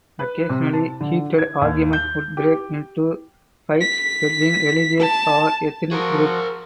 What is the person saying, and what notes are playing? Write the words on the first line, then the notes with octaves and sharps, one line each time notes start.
Occasionally heated arguments would break into fights between religious or ethnic groups.
B4
C3
A5
D3
G#6
D#2
G6
G4
B6
A5
F3 F#4 G#4 A#4 C#6